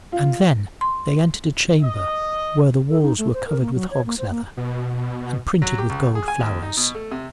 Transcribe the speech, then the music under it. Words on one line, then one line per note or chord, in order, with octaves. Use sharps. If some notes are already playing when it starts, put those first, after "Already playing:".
And then they entered a chamber where the walls were covered with hog's leather, and printed with gold flowers.
F4
C6
D#5
A4
D#4
A3
C5
A#4
A#3
F#3
C#5
A#3
C5
A#3
B2
F#3
G4
C#2
G#4
G#5
D#2
D#4
B2
A3
C3